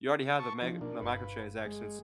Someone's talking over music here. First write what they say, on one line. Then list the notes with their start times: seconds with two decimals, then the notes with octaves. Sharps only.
you already have the meg the microtransactions,
0.39 A5 C#6
0.62 F3 B3 D4 D#4
0.81 B2 A#3 D4
1.02 G1 G2 B4 F5
1.65 G#3